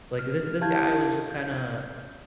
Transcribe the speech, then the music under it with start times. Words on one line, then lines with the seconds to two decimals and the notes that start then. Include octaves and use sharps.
like, this this guy was just kinda
0.19 F6
0.61 E4 G4 F5 A5 G6 G#6
1.30 G6